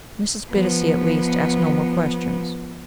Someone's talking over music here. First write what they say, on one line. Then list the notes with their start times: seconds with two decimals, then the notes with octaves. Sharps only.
Mrs. Bittacy, at least, asked no more questions.
0.50 F3 B3